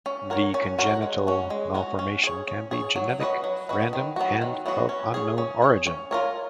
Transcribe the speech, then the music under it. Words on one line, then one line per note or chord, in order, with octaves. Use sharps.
The congenital malformation can be genetic random and of unknown origin.
C#4
F#4 A#4 C#5
C#4
F#4 A#4 C#5
G#3
C#4 F#4
G#3
C#4 F#4
C#4
G#4 C#5
C#4
G#4 C#5
F#3
C#4 F#4 B4 D#5
F#3
C#4 F#4 B4 D#5
D#3
F#3 B3 F#4
D#3
F#3 B3 F#4
C#4
G#4 C#5
C#4
G#4 C#5
C#4
F4 A#4 C#5